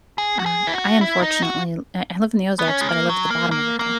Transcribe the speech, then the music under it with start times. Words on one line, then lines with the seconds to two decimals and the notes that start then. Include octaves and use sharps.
Uh, I unfortunately l I live in the Ozarks, but I live at the bottom of a hill.
0.18 G#4
0.39 F#4
0.46 G#4
0.67 E4
0.74 F#4
1.01 E4
1.22 D#4
1.42 F#4
2.59 B3
2.68 C#4
2.81 G#3
2.89 A#3
3.09 F#3
3.30 A#3
3.51 A#3
3.79 A#3